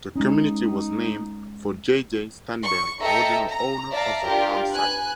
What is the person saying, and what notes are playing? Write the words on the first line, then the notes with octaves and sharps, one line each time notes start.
The community was named for J. J. Stanberry, original owner of the town site.
G#3 C#4 D#4
C#6
A4 D#5 E5 G5 A#5 C#7
A#5
D5 E5 F5 A5 A#5
D4 F4 G4 A#4
B4 G#5 F#6